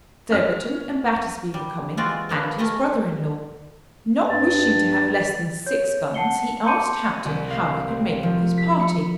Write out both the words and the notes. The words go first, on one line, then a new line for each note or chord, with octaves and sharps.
Surbiton and Battersby were coming, and his brother-in-law. Not wishing to have less than six guns he asked Hampton how he could make up his party.
C#4 F6
G3
E3 G#3 C4 F4 F#4 D5
F3 A#3 B3
A3 G#4 A#4 D#5 E5
G2 A6
C#5 G6
F#5 A5 C7 C#7 G7
A5 C6 D6 G6 C#7 D#7
C2
F5
C4
F3
B6
C#7